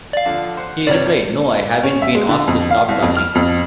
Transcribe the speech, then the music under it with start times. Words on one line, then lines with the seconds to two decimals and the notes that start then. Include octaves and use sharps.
He replied: No, I haven't been asked to stop talking.
0.13 D5 F5
0.26 D3 F3
0.57 C5 F#5
0.87 C#2 G2 C3 C#5 D5
1.83 C#4
2.02 E5
2.15 G#3
2.29 D3
2.48 F2
2.71 F5
2.89 C2
3.02 F2
3.17 F6
3.35 F2